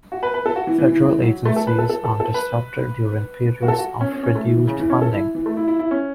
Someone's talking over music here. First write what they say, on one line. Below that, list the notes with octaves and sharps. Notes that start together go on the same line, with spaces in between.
Federal agencies are disrupted during periods of reduced funding.
F#4
B4
B4
A4
F#4
E3
E3
E3
E3
F#3
A3
A4
B4
A4
A4
A4
A4
B4
F#4
A4
F#4
C#4
C#4
C#4
A3
E3
E3
C#3
E3
C#4
A4
E4
E3
A3
E4
E4
E4
C#4